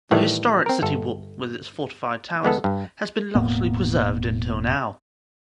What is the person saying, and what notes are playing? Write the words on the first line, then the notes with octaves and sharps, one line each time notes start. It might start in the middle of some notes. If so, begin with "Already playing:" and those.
The historic city wall with its fortified towers has been largely preserved until now.
A2 D#3 E3 G3
C4 A#4
G1 A4
D2 G#3 B3 A4
G2
E1 A2 A#3 B3